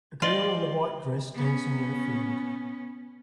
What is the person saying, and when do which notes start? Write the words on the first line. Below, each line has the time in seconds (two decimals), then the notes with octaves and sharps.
A girl in a white dress dancing in a field.
0.22 F4 C5 D5 D#5
1.35 B3 C#4